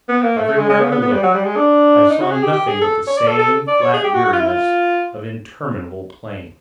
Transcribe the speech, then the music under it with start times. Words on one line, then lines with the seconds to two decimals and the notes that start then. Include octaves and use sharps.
Everywhere I looked, I saw nothing but the same flat weariness of interminable plain.
0.09 B3
0.22 A#3
0.37 A3
0.48 A3
0.58 G#3
0.69 G#3
0.80 B3
0.91 B3
1.02 B3
1.12 G3
1.23 F#3
1.34 G3
1.45 G#3
1.56 D4
2.10 D#4
2.21 F#4
2.32 G#4
2.42 G4
2.53 G4
2.67 G#4
2.81 A4
3.07 C#5
3.18 D5
3.28 A4
3.39 A4
3.68 D5
3.82 C#5
3.93 G#4
4.04 G4
4.14 F#4
4.25 F#4
4.33 F4
4.40 E4
4.48 F4